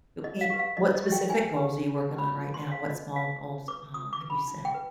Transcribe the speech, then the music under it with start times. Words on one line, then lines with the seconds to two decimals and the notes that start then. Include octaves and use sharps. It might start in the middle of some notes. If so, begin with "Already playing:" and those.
You i what specific goals are you working on right now, what small goals, uh, have you set?
0.24 D#4 D#5
0.41 F5
0.50 G4 B4
0.59 F5
0.77 D#4 D#5
0.95 D#5
1.03 G4 B4
1.12 G5
1.29 D#4 G#5
1.56 G4 B4
1.82 D#4
2.09 G4 B4
2.18 B5
2.36 F4
2.54 C6
2.62 B4
2.71 F5
2.89 F4 D#5
3.16 B4 F5
3.42 F4
3.68 B4 D6
3.94 F4 D#6
4.13 D6
4.21 B4
4.30 B5
4.48 D#4
4.65 G5
4.74 B4